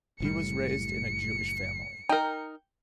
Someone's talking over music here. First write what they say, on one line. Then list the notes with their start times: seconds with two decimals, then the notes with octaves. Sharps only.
He was raised in a Jewish family.
0.20 F#1 A2 G3 C#7
2.09 D#4 A#4 G5